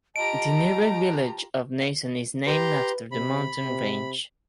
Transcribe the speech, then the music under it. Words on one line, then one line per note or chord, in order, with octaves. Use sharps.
The nearby village of Nason is named after the mountain range.
F4 G4 D#5 A5 A#5 D7
G4 B4 A#5 C6
C3 B5
C3